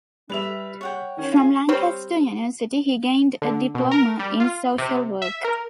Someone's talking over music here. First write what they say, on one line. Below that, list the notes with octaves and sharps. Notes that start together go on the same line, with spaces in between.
From Lancaster University, he gained a Diploma in Social Work.
G3 B4 E5 F7
C#5 F#5 G5
D#3 C#4
F4 G#4
G3 C4 C#5
D3
B2
A#4
G3
F4
C3
E5
A#4